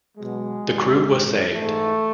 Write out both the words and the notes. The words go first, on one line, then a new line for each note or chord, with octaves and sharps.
The crew was saved.
B2 F#3 G#3
G2 D#3 F#3
G#2 E3
G#2 E3 A3